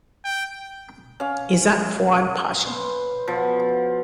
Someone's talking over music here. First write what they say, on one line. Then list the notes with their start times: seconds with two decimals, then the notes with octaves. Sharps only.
Izzat Fuad Pasha.
0.25 G5
1.20 C#4 F5 D6
2.64 B4 C5
3.28 B2 F3 A4 D5